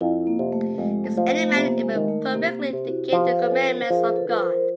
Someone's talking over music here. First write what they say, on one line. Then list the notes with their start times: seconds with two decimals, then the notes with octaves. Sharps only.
Is any man able perfectly to keep the commandments of God?
0.01 F2 E4
0.27 A#3
0.39 C3
0.52 A3
0.78 F2 G#3
1.04 A3
1.17 F3
1.31 A3
1.49 B3
1.56 C3 A#3
1.83 G#3
1.95 D#3
2.09 A3
2.34 C3 A#3
2.60 C4
2.73 C3
2.86 E4 F#4
3.12 F3 F4 G4
3.39 A4 B4
3.52 C#4
3.64 A#4 C5
3.90 F3 G#4 A#4
4.16 A4 B4
4.29 F3
4.42 A#4 C5